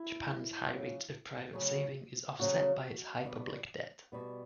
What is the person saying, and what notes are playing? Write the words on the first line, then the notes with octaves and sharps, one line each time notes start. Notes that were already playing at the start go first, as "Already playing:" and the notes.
Japan's high rate of private saving is offset by its high public debt.
Already playing: E4
D2 C#3 F#3 C#4
D2 C#3 F#3 C#4
D2 C#3 F#3 C#4 F#4
B2 G3 B3
B2 G3 B3